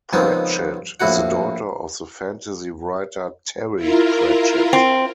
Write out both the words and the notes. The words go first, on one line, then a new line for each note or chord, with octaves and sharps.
Pratchett is the daughter of the fantasy writer Terry Pratchett.
C#2 D#3 F3 G#3 B3 C4
A#1 A2 E4 F#4 F#5
E4 F4 A#4
C4